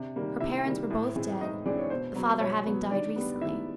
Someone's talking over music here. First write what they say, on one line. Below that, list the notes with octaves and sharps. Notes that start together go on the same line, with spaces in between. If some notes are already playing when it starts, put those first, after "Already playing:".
Her parents were both dead, the father having died recently.
Already playing: C3 D4
D#3 G3 A#3
C3 E4 E5
D#3 G3 A#3
A2
E3 G#3 C4
A2 D#4 D#5
E3 G#3 C4 D4 D5
C#5
B2 C5
F#3 B3
B2 C#5
F#3 B3
D#3 D4 D5
G3 B3
D#3 E4 E5